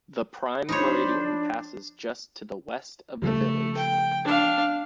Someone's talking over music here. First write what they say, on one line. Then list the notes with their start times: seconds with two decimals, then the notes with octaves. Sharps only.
The Prime Meridian passes just to the west of the village.
0.69 F3 D4 D#4 C5 C#5 B5
3.22 C#3 F3 G3 A3
3.77 G5
4.25 D4 F5